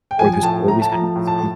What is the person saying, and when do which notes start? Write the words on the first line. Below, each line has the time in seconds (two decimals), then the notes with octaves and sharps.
or there's always gonna be some
0.11 G5
0.19 F3 G#5
0.33 G#5
0.43 A2 A5
0.67 A3 A#5
0.82 A5
0.91 F3 A#5
1.16 A2
1.27 A5
1.40 A2